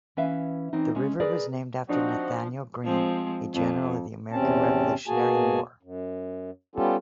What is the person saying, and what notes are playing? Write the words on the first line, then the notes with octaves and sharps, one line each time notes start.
The river was named after Nathanael Greene, a general of the American Revolutionary War.
E3 C#4 B4 E5 F5
E3 C4 C#4 D#4
G#3 C#4
G#4 A#4 B4 D5
F3 C4 D4 D#4 F#4
F3 G#3 C4
F2
E2 C3 C4 C#4 A5
B2 A#3 F#4 G#4 G#5 A5
F#2
G3 B3 C#4 F4 G4 A4